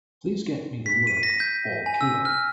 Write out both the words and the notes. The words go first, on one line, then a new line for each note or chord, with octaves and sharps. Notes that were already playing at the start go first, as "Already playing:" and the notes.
Please get me the work, All Killer.
B6
D#7
A#6
G6
G#5
E6
F6